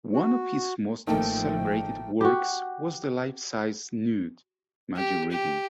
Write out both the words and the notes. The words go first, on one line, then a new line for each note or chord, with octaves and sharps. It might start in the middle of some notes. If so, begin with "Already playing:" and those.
One of his most celebrated works was the life-size nude, "Maggie Reading".
F#4
A1 D#3 F3 A3 A#3 D#4 A4 G5
F#4 G4
G4
G4